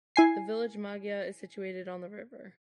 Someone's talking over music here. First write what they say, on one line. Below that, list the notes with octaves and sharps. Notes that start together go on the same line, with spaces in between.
The village Maggia is situated on the river.
E4 G#5 C7